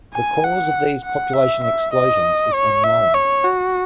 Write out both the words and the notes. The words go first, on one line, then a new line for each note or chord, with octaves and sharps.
The cause of these population explosions is unknown.
G#5
F#5
F#5
E5
E5
D#5
C#5
E5
C#5
F#4